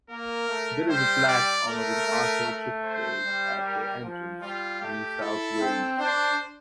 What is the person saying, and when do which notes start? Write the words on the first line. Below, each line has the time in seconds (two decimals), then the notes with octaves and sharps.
There is a plaque honouring Arthur Chipperfield at The Entrance, New South Wales.
0.10 A#3 A#4
0.49 A3
0.88 G3 C5
1.29 D5
1.67 A3 A#4
2.07 A3
2.46 A3
2.85 C5
3.25 G3
3.64 A#4
4.03 F3
4.42 G3 F4
4.82 A3 G4
5.21 E4 A4
5.61 C4
6.00 D4 C5